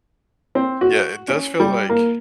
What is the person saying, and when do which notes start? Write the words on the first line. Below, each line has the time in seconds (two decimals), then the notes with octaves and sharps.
Yeah. It does feel like
0.55 C4
0.81 F#4
1.28 C#4
1.60 G3
1.89 A#3